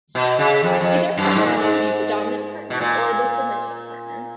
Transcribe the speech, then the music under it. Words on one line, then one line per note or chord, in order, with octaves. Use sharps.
Either partner may be the dominant partner or the submissive partner.
B2
C#3
F2
F2
F#2
G#2
A#2
G#2
B2
A#2